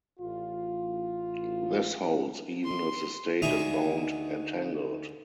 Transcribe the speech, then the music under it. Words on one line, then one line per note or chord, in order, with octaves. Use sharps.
This holds even if the state is bound entangled.
A1 F4
C6
D2 D#4 G#4 E5